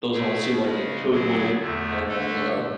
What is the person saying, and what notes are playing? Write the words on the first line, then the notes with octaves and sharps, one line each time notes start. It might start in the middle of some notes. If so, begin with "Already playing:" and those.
those all seem like they could win it and, uh
B2 A3 E4 G#4
C#3 G#3 C#4
D3 F#3 B3 E4 G#4
E2 D3 A3
D3 A3 D4 A4